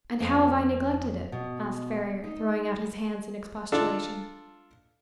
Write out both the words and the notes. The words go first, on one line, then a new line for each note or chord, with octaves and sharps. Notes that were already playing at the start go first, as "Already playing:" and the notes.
"And how have I neglected it?" asked Ferrier, throwing out his hands in expostulation.
F2
B2
D#4
D4 F4 A4